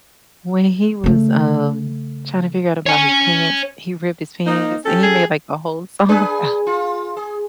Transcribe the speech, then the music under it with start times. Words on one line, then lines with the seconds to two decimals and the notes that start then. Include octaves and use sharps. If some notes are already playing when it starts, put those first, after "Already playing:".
when he was, um, trying to figure out about his pants he ripped his pants, and he made, like, a whole song about
1.04 C#3 A3
2.86 C#5 G#5
4.46 A#3 D#4
4.85 C#4 G4 A4
5.03 G#4
6.09 D4 G#4 B4
6.67 F4
7.17 G#4